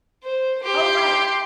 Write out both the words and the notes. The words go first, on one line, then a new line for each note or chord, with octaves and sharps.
Oh, right.
C5
G4 C6